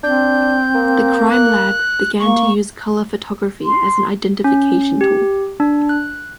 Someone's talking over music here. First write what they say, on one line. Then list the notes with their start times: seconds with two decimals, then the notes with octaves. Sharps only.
The Crime Lab began to use color photography as an identification tool.
0.03 C4 D4 G6
0.75 A#3
1.30 F#6
2.20 A#3 C#6
3.63 C6
4.44 C#4
5.01 G4
5.60 D4
5.89 F#6